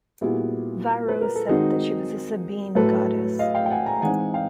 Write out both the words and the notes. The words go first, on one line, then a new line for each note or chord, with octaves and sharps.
Varro said she was a Sabine goddess.
A#2 G3 B3 E4 F#4 G#4
B4
A#4
A4
D#3 G#3 C4 D#4 F#4 G#4
A2 F#3 A3 A4 B4
D#5 F5
F5 G5
G5
F#5 G#5
G#5 A#5
E3 G#3 C4 D#4 F#5 G#5
F5 G5